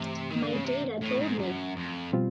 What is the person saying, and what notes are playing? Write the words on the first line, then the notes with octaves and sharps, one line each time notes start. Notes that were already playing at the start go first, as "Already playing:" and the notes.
My data told me.
Already playing: G2 C3 E3 A3
D#3
D3
C#3
C3
A2
G#2
F#2
F2
B2 G3 C4 F4